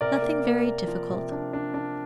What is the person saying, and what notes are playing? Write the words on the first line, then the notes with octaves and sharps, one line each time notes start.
"Nothing very difficult."
C3 A#4 D5
A#3
A#3
A#3
F3
C3
D4
D4
D4